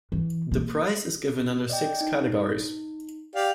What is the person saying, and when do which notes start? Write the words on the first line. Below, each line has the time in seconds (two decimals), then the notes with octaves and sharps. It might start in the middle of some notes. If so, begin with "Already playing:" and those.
The prize is given under six categories.
0.12 E3
0.52 A#3
1.70 D5 D#5 G5
2.01 D#4
3.35 G4 D5 F5